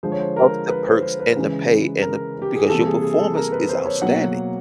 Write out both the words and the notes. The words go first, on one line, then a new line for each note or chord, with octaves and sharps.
of the perks and the pay and the because your performance is outstanding.
D3 F3 G#3 C5
C#5
C5
A#4
B4
C5
C5
B4
C#3 E3 G#3
A#4
G4
G#4
C3 E3 G3 A#3 A4
G#4
G#4
A4
A#4
B4
C5
C#5
B2 F#3 A#3 F#5